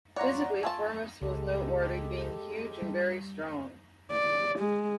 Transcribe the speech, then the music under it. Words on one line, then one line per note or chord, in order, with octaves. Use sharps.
Physically, Firmus was noteworthy, being huge and very strong.
F4 C#5 D5 F#5 A#5
A3 F4 G#5 A5
C#2 G#3 G4 A4
G3
D5
G#3